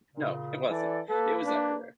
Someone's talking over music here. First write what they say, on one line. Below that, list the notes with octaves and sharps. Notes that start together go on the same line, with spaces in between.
no, it wasn't. It was everywhere.
A#2 C#3
E3 A4 D5
A#3 A4 B4
D4